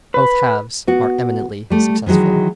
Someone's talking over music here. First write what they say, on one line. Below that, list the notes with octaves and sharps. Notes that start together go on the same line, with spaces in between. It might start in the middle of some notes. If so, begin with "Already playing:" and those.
Both halves are eminently successful.
B4
B3 F#4
G3 A3
D#3 E3 F#3 G#3